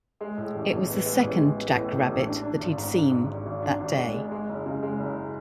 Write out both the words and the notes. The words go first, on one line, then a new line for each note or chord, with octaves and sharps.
It was the second jack rabbit that he had seen day.
G#3
A2
A1
A1
B3
G#3
A1
G#3
B3
A2
A2
A1
D4
D4
G#1
G#2
D4
G#2
G#1
G#1
D4
G#1
G#3
G#3
G#3
F#1
C#3
G#3
F#1